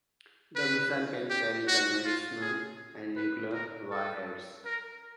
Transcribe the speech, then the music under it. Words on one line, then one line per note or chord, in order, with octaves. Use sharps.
The missile can carry conventional and nuclear warheads.
B4
G4
F#4
F4
G#4
B4
A#4
A4
A#4